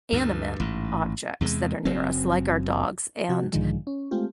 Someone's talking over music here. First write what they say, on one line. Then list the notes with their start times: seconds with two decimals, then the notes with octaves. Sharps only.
animate objects that are near us like our dogs, and
0.13 D2 G2
0.60 A1 G#2
1.41 E2 C3 G3 G#3
1.85 F#1 F#2 F#3 C4
3.29 C3 F3 F#4
3.53 B1 G#2 D3 D#3 F3 G#3
3.87 C#4
4.11 G#3 A3 C4 F4 G4